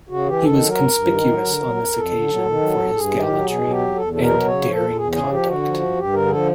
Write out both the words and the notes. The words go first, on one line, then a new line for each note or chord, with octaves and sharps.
He was conspicuous on this occasion for his gallantry, and daring conduct.
C#3 F#4
E3 G4
D#3 A4
F#3
A#4
G2
G2
D#3
F#3
D3
F#3
F2
F2 A4
D3
F#3
D#3
F#3
G2
G2 G#4
D#3
G4
F#3
B2 G#4
F#3
G4
E2
E2 A4
B2 A4
A#4
F#3
C#3 C#5
F3
A4
E2
E2 G#4
C#3 G#4
F3 G4
D3 F#4
F3
G2
G2 G4
D3 A#4
G#4
F3 A4